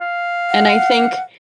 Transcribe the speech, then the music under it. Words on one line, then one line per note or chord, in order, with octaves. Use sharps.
and I think
F5
F#5